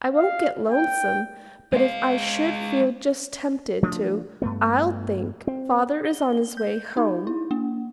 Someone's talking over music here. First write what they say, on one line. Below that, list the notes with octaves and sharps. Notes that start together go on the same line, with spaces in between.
I won't get lonesome, but if I should feel just tempted to, I'll think, Father is on his way home.
F5
G5
G#3 F5
F3 A3 D4
G2 A3 B3
C4
G7
G6
D#4
E4
A#3